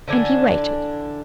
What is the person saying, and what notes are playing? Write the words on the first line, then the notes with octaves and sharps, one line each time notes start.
And he waited.
D3 E3 D4 G#5